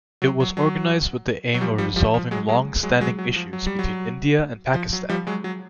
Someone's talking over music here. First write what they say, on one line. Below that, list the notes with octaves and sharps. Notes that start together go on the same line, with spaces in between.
It was organized with the aim of resolving long-standing issues between India and Pakistan.
F#3
F#3
F#3
F#3
F3 G3
F3 G3
F3 G3
F3
F#3 G#3
F#3 G#3
F#3 G#3
F#3 G#3
F#3
F3
F#3
G3
F#3
F3
F#3
F3 G3
F#3 G#3
F#3